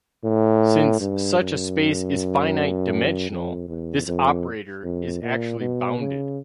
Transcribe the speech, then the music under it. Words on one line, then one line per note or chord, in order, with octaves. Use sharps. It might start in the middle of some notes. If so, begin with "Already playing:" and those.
Since such a space is finite-dimensional, this operator is actually bounded.
A2
G2
F#2
F2
E2
F2
F2
A#2
B2
C#3